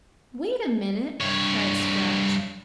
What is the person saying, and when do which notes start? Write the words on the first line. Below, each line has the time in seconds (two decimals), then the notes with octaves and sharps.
"Wait a minute," cried Scraps.
1.21 G2 C#5